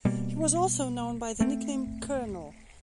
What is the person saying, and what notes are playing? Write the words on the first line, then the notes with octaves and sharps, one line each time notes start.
He was also known by the nickname 'Colonel'.
B2 G3 A#3
A3 C4